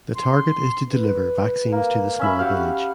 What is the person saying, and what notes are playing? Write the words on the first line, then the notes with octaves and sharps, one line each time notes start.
The target is to deliver vaccines to the small village.
C6
B4
A#3
C#4 E5 B5
F#4 G4 F5